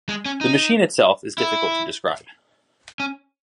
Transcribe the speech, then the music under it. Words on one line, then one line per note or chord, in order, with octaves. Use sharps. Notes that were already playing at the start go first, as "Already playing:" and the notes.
The machine itself is difficult to describe.
G#3
C#4
D#4
E4
C#4